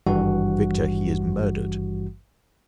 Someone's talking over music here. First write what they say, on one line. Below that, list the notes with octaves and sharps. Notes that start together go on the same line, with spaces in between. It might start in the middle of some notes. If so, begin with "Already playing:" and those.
Victor, he is murdered!
G#1 G2 E3 G3 F#4 F#5